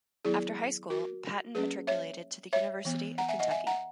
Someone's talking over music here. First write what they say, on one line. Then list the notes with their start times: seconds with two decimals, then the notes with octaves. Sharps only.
After high school, Patton matriculated to the University of Kentucky.
0.25 D#3 F#3 B3 E4 G#4
0.90 F#4 A#4
1.55 F#3 A#3 C#4 G#4 B4
1.87 C#5 E5
2.53 C#5 E5
2.85 E3 B3
3.18 F#5 A#5
3.28 E5 G#5
3.39 D#5 F#5
3.51 E5 G#5
3.67 F#5 A#5